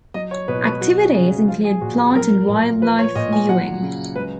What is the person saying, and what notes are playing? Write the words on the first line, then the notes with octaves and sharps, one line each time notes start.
Activities include plant and wildlife viewing.
F#3 D#5
C#5
B2 B4
B4
F#3 F#4
C#3 G#4
F3 F4
G#4
A#2 F#4
G#4
F#3 A#4
A#2
F3 B4
C#5
A#2 D#5
G#5
F#3 F#5
C#3
G#3 B4